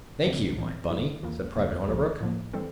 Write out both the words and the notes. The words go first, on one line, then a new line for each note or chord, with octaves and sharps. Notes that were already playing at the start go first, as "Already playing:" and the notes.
"Thank you, my bunny," said Private Hornabrook.
F2 D3 A3 C4 D4
A2 E3 G3 C4
G2 E3 G3 E4
E2 E3 A#3 F4
E2 D3 G3 A#3
C2 A#2 F3 A#3 G4
A2 F3 A#3
E3 G3 C4 A4